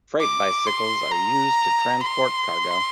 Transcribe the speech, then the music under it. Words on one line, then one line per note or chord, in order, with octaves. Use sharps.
Freight bicycles are used to transport cargo.
D6
C6
A#5
C6